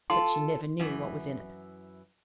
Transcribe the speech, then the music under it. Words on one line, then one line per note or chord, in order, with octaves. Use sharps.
But she never knew what was in it.
F4 A4 C6
F#2 E3